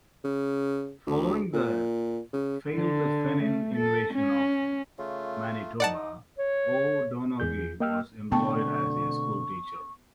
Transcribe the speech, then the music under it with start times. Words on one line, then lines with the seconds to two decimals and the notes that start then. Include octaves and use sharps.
Following the failed Fenian invasion of Manitoba, O'Donoghue was employed as a schoolteacher.
0.24 C#3
1.07 D2
1.53 A#2
2.33 C#3
2.74 D3
3.43 A3
3.76 A4
4.14 C#4
4.99 C#3 A3 F4
5.80 D#4 D5 F#5 A5
6.39 C#5
7.40 E2 G#4 G6
7.80 A#3 D#5 G5 E6 F6
8.32 B2 D3 A3 B3 C4 G5 A5 C#6